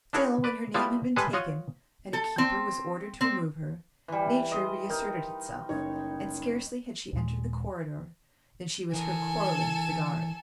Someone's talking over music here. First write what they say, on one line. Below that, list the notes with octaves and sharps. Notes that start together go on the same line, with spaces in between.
Still, when her name had been taken, and a keeper was ordered to remove her, nature reasserted itself, and scarcely had she entered the corridor than she was heard quarreling with the guard.
D4 E4 F#4 G#4 A#4 C#5
B4 D5
G3 A3 B3 E4 F4
G3 G#3 G#4 A4 B4
F4 C#5 D#5 F#5
A4
C4
C4
E3 G3
G#3 D#5 C6
D#4 A#4 F6 G6
F#1 D#4 C#5
D#2 A#2 G#3
E3 A4 A#4 G#5